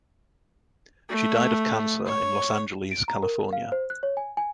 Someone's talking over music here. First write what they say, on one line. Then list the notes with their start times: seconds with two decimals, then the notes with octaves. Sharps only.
She died of cancer in Los Angeles, California.
1.09 A3
2.06 C#5
2.91 D7
3.08 A#5
3.23 A#4
3.53 F5
3.72 C5
3.90 F#6
4.03 C#5
4.17 G#5
4.37 G#5